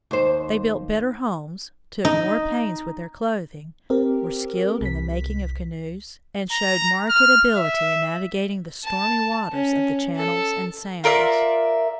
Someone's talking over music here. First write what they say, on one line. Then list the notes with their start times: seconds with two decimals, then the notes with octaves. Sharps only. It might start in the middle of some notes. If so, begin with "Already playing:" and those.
They built better homes, took more pains with their clothing, were skilled in the making of canoes, and showed marked ability in navigating the stormy waters of the channels and sounds.
0.11 D#2 C5
2.05 D#4
3.90 C4 G4 A#4
4.81 C2 B6
6.52 A#5
7.10 F6
7.57 E5
8.84 A5
9.52 C#4
10.16 A4
11.04 F4 A#4 D5 E5